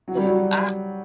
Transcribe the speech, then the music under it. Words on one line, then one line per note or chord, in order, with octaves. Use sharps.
'Cause I
F#3
G3
F#3